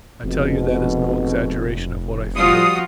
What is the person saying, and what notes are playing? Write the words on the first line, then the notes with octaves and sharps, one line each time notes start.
I tell you that is no exaggeration of what I feel.
F1 F2 G#2 B2
F3 G3 F4 F#4 D#6